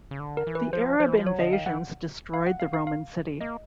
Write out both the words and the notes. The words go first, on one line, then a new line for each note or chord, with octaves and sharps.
The Arab invasions destroyed the Roman city.
C#3
D3
A#4
E3
B4
F3 C5
F3 C5
E3
F3
F#3 C#5
D3 D#5
D#3 F5
E3 F#5
F5
F#5
F5
F5
F5
A#3 D#5